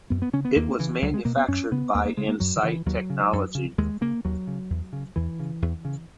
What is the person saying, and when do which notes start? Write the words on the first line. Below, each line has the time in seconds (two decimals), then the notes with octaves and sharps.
It was manufactured by Insight Technology.
0.10 F#2 B3
0.22 B3
0.33 C#3 C#4
0.45 B3
0.56 D#2 A#3
0.79 C#3 E3
1.02 C#2 F#3
1.14 G#3
1.25 B2 A#3
1.37 B3
1.48 F#2 C#4
1.72 C#3 B3
1.94 D#2 A#3
2.05 A#3
2.17 C#3 G#3
2.29 A#3
2.40 F#2 F#3
2.56 D#3
2.63 C#3 E3
2.86 D#2 F#3
3.10 C#3
3.33 F#2
3.55 C#3
3.78 D#2 G#3
4.01 C#3 A#3
4.24 D#2 F#3
4.47 C#3
4.70 E2
4.93 C#3
5.16 E2 E3
5.40 C#3
5.62 E2
5.85 C#3